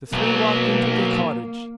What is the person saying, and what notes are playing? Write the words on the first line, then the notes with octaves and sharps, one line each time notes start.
The three walked into the cottage.
B1 F#3 A#3